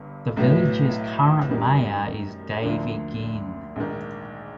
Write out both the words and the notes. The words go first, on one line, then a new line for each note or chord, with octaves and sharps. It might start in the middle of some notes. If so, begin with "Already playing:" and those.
The village's current mayor is Davy Ginn.
Already playing: G1 G2
B1 A2 F#3 B3
F#2 D#3 G3
D2 D3 F3 A#3 D4
A#1 G#2 D#3